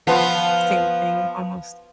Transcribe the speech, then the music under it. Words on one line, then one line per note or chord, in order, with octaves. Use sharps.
same thing almost
F3 B3 F4